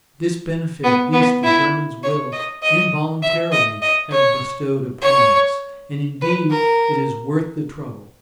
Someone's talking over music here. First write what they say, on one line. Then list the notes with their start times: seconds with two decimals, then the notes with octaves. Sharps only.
This benefit at least the Germans will, involuntarily, have bestowed upon us, and indeed it is worth the trouble.
0.84 B3
1.13 B3
1.44 E4
2.03 C#5
2.32 D#5
2.62 D#5
3.23 E5
3.52 D#5
3.82 D#5
4.12 C#5
5.02 C#5
6.22 B4
6.51 A#4